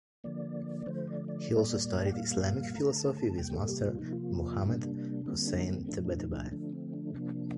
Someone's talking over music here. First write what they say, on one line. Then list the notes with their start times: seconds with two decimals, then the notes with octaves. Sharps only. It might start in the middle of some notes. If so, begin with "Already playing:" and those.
He also studied Islamic philosophy with master Muhammad Husayn Tabatabai.
0.24 D3 F3 A#3 D5
0.86 D3 F3 A3 C5
1.07 D5
1.28 D5
1.49 A#2 G3 A#3
2.06 G5
2.12 A#2 G3 A#3 F5
2.75 D3 A3 A#5
2.96 A5
3.17 A5
3.38 C3 G3 A#3 G5
3.53 A4
3.69 G4
3.85 F4
3.99 C3 F3 A#3 D#4
4.13 F4
4.63 C3 G3 A#3 D4
5.26 D3 G3 A#3 C4
5.37 C4
5.48 D4
5.68 C4
5.89 A#2 F3 A3 D4
6.05 D4
6.20 D#4
6.32 D#4
6.36 D4
6.52 D3 F3 A3 D4
6.72 C4
6.93 D4
7.14 C3 F3 A#3 D4